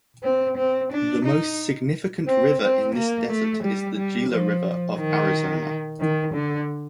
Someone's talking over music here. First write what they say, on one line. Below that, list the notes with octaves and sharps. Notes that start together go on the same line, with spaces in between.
The most significant river in this desert is the Gila River of Arizona.
C4
C4
D4
D#4
C4
C4
A#3
A3
G3
G3
F3
D#3
D#3
D3